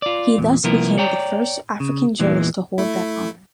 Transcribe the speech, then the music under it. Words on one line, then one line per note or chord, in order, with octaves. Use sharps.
He thus became the first African jurist to hold that honour.
F4 D5
E2 A#2
C2 F3 A#3 B3 E4 A#4
C#5 D5 G5 A#5
C#3
E2 A#2 E3 G#3
A3 E4